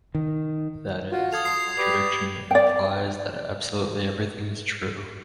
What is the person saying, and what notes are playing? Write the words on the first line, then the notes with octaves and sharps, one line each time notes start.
That is, a contradiction implies that absolutely everything is true.
D#3
F4 F#4
A4 F5 D#6 G#6 F7
C6 D#6 C7
G4 B4 D5 F7
D5 G5